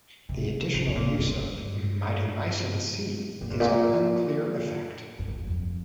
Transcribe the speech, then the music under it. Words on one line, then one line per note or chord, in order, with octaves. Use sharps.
The additional use of mitomycin C is of unclear effect.
C3
C3
C3
A#2
G2
G2
A#2
G2
A#2
G2
F2
F2